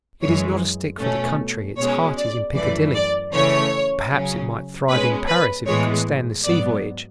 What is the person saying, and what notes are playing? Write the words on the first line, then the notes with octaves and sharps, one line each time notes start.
It is not a stick for the country; its heart is in Piccadilly. Perhaps it might thrive in Paris if it could stand the sea voyage.
F#2 E3 G#3 C#5
B2 A3 C#4
B2 G#3 C#4 C#5
D5
F#2 E3 A3 D5
D5
C#3 E3 A3 C#4 C#5
C#3 F#3 C#4
B2 G#3 C#4 B4
B4
A2 E3 G#3 B3 C#5
G#2 F#3 B3 D5